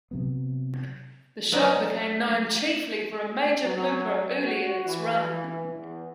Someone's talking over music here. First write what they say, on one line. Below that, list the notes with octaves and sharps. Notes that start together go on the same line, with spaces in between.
The show became known chiefly for a major blooper early in its run.
C3 F#3 B3
F#3 D4 B4 D5 D#5 A#5
F#3
F#4
E3
E2